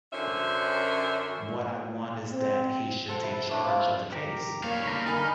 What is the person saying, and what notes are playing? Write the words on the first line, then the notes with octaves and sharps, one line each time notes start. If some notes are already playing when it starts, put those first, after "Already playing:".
What I want is that he should take charge of the case.
F#2 D3 C#4 C5 C#5 E5
C4
A4 C5 F#5 G5
E4
A3 D4 B4
A#3 C4 F4 B4
G4 A#4
G3 A#3 C#5 F5
D3 A#5 F6
D#4 A#4 G#5 B5